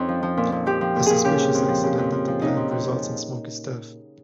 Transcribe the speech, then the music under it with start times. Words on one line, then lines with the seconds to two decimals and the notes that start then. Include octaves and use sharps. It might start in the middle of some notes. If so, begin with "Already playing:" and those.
A suspicious accident at the plant results in Smokey's death.
Already playing: F2 C#4 D#4
0.09 F3
0.23 F3
0.37 A#2
0.52 A#2
0.66 F3 G4
0.81 F3
0.96 A#2
1.06 A#2 G#4
1.25 C#3 G4
1.40 F2
1.55 F2
1.69 F3
1.83 C#3
1.98 F2
2.12 F2
2.28 F3
2.42 C#3 D#4
2.57 F2
2.71 F2